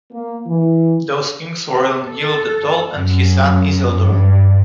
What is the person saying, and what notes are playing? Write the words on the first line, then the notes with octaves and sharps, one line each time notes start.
Those kings were Elendil the Tall and his son Isildur.
A#3
E3
A4
F#2
G2